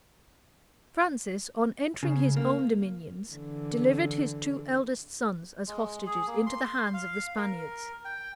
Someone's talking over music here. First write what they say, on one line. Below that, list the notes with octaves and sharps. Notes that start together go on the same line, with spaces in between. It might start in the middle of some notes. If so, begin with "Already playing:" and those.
Francis, on entering his own dominions, delivered his two eldest sons as hostages into the hands of the Spaniards.
C#3
A#3
D3 E3
G#3
G#4
A#3
C6
F5
A#4
G5